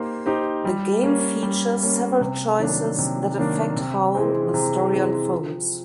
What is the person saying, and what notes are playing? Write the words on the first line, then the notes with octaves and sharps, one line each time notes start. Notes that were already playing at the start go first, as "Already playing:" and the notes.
The game features several choices that affect how the story unfolds.
Already playing: A#3 D#4 G4 C5
D#4 G4 C5
G3
A#3 C#4
G3
A#3 C#4
C3
D#3 F#3 A#3 D4
C3
D#3 F#3 A#3 D4
C3
E3 G#3 C4
C3
E3 G#3 C4
F3